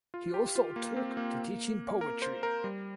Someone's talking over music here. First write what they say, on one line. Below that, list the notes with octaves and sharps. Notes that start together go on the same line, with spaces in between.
He also took to teaching poetry.
F4
G4
F4
A#3
C4
A#3
A#4
C5
A#4
G3